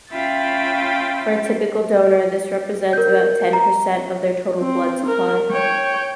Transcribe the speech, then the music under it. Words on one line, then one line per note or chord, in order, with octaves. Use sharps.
For a typical donor this represents about ten percent of their total blood supply.
C#4 F4 E5 G5 B5 A6
A#4 G6
A#5
C4
A#4
C#5 G5